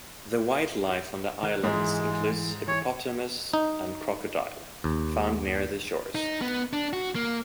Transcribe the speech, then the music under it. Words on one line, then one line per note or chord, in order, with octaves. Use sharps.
The wildlife on the islands includes hippopotamus and crocodile, found near the shores.
D#3 A#4 F#6
G#2 E3 G#3
E3 C#5
D#4
D#2
D#4
B3
D4
F#4
A#3